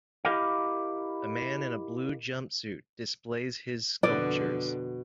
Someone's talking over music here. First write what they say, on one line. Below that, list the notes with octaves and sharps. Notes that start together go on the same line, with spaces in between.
A man in a blue jumpsuit displays his sculptures.
E4 G4 A#4 D#5 F5
F2 B2 D3 D5